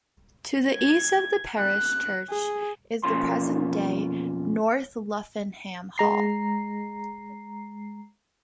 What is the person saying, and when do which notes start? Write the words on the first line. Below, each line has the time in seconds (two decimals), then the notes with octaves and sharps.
To the east of the parish church is the present day North Luffenham Hall.
0.76 G#6
1.58 F#6
2.30 G#4
3.03 B1 F2 A#3 C#4 F4 C6
5.98 G#3 A#5 C7